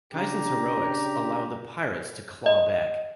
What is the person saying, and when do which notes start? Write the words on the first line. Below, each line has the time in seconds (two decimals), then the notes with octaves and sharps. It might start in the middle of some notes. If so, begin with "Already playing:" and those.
Kison's heroics allowed the Pirates to claw back.
0.14 C#3 D4 G4 A#5
2.46 D#5